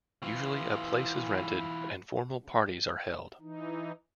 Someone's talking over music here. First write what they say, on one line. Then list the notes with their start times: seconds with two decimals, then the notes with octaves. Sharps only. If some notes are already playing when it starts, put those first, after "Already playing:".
Usually a place is rented, and formal parties are held.
0.22 E3 F4
3.41 E3 D#4